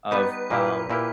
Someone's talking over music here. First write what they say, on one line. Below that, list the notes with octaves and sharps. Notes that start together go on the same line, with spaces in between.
of, um,
G3 B3 D#4 B4
A#2 A#3 E4 G4
A#2 A#3 E4 G4